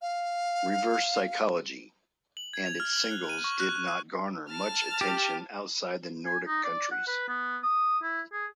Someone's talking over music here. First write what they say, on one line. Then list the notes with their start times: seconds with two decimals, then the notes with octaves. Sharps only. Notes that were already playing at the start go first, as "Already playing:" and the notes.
"Reverse Psychology" and its singles did not garner much attention outside the Nordic countries.
0.02 F5
2.37 F#7
2.53 G#6
2.66 F7
2.80 F6
2.93 F#7
3.11 F#6
3.29 D#7
3.44 C#6
3.60 F#6
3.75 F#6
3.88 F#6
4.50 A5 F6
5.01 G4
6.25 G#5
6.47 D#4
6.64 D5
6.91 F#5
7.07 B4
7.28 B3
7.63 D#6
8.03 E4
8.32 G#4